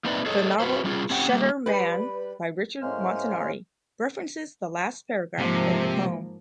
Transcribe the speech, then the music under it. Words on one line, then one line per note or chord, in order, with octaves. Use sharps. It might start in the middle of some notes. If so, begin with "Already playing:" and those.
The novel "Shutter Man" by Richard Montanari references the last paragraph of the poem.
A#3 C4 D#4 B4 D5 E5
G#4 A4 C#5 D#5
F#4 B4 C5
G3 C#4 F4 G4 G#4
C4 C#4 G4 F#5 G5
G3 A#3
G3 B4
A2 G#3 A#3 C#4 C5 F6
G#2 C3 F3 A#3